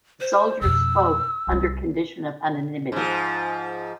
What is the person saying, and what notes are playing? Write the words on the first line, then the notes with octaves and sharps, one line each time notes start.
The soldiers spoke under condition of anonymity.
C5
F2 B2 E6
C2 G3
G#2 F3